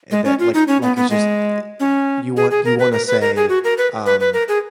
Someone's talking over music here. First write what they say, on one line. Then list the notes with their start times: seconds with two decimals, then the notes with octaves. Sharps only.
eh, that like like it's just, eh, it you want you wanna say, um,
0.11 G#3
0.25 C#4
0.39 F4
0.54 D#4
0.68 C#4
0.82 B3
0.96 B3
1.10 G#3
1.80 C#4
2.37 G#4
2.51 G#4
2.65 A#4
2.79 B4
2.93 A#4
3.07 B4
3.21 A#4
3.36 G#4
3.49 F#4
3.64 A#4
3.78 B4
4.06 B4
4.20 B4
4.33 A#4
4.48 G#4